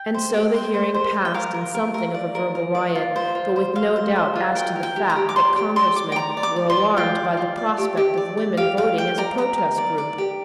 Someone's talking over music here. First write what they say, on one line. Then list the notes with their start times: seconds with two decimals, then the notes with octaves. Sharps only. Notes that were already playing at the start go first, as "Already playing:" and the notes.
And so the hearing passed in something of a verbal riot, but with no doubt as to the fact that Congressmen were alarmed by the prospect of women voting as a protest group.
Already playing: G5
0.14 C5
0.34 G4
0.54 C5
0.74 C5
0.94 C5
1.14 C5
1.25 G5
1.34 A#4 F5
1.54 A#4
1.75 A#4
1.94 A#4
2.14 D5
2.35 A#4
2.55 A#4
2.75 D5
2.95 F4
3.16 C5
3.35 F4
3.56 C5
3.75 C5 F5
3.96 C5
4.16 C5
4.36 F4
4.55 A#4 G5
4.76 A#4
4.83 G5
4.96 G4
5.10 A#5
5.16 G4
5.29 D6
5.36 D5 C6
5.56 G4
5.76 D5 C6
5.96 D5 D6
6.12 G5
6.16 D5 A#5
6.37 D5
6.43 D6
6.56 D5
6.70 C6
6.77 D5
6.97 F4 G5
7.17 D5
7.37 F4
7.57 D5
7.78 G4
7.97 G4
8.18 D5
8.37 D5
8.57 G4 F5
8.77 G4 F5
8.97 G4 G5
9.18 D5 A#5
9.38 G4 A#5
9.58 A#4
9.78 D5
9.98 D5
10.18 G4